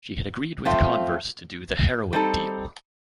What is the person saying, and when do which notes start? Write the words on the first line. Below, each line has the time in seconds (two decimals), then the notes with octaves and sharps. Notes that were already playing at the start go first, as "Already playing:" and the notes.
She had agreed with Converse to do the heroin deal.
0.65 F3 A3 C4 F4
2.13 G3 C4 D#4 A4